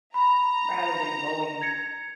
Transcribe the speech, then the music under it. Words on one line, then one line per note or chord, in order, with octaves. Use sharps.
rather than going
A#5 B5
G#6 A#6 C#7